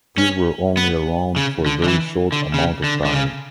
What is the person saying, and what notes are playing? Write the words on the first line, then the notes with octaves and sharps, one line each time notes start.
These were only around for a very short amount of time.
C#4
B3
C#3
D3
D3
E3
D3
C#3
D3
D3
C#3